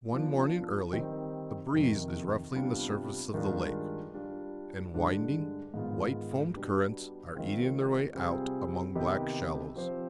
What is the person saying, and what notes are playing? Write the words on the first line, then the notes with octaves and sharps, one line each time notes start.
One morning early, a breeze is ruffling the surface of the lake, and winding, white-foamed currents are eating their way out among black shallows.
F3 B3 D4
D#3 G3 C4 D#4
F2 C3 D#3
C3 G3 B3 D4 F4
G2 D#3 G#3 D4 F4
G3 D4 F4
G2 D3 G#3 D4
G#2 D#3 G#3 B3 F4
B2 G3 B3 D4 G4
D#3 G#3 C4 F4
C3 G3 C4 F4 G#4
C3 D#3 B3 D#4 G4
F3 C4 G4 C5